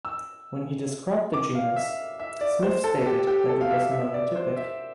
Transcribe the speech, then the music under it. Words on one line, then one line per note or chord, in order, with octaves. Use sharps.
When he described the genus Smith stated that it was monotypic.
E6
D6
F5
E5
E5
D5
C5
A4
G4
G4
A4
F5
E5
E5
D5
C5
E5